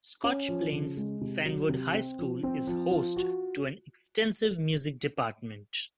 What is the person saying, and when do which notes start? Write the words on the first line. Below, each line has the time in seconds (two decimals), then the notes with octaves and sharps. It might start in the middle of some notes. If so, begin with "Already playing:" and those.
Scotch Plains-Fanwood High School is host to an extensive music department.
0.24 C#4
0.48 F3
0.72 C#3
0.97 G#3
1.21 C3
1.45 F#3
1.69 C3
1.94 C4
2.19 F3
2.43 C4
2.67 F3
2.92 F4
3.16 F#4